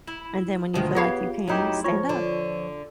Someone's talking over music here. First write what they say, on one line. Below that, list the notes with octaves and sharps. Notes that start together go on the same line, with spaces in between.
and then, when you feel like you can, stand up
E4
D2 B2 D#3 F3 G#3
B3 F4 G4 G#4 C#5 F5 B5
F2 F#3 A3 D#4 E4 G4
F3 F4 C#5 C#6
D3